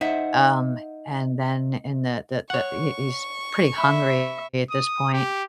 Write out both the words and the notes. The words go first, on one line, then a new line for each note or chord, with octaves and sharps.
um, and then in the the the he he's pretty hungry at this point,
D#4 C5 E5 F#5
C#5 F#5 C#6
E5 B5
D#6
G4